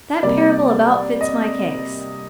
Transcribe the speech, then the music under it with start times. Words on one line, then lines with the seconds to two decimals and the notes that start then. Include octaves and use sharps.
That parable about fits my case.
0.23 C3 G3 A#3 D5
1.21 D#5